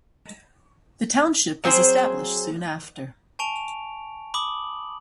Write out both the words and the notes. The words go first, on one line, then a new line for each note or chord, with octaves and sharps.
The township was established soon after.
F#3 C4 G#4 C5
G#5 A5 C#6 D7 F7
B5 D6 D#6 F#7